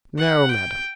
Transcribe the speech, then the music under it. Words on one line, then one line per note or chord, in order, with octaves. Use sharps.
"No, madam."
F#5
G5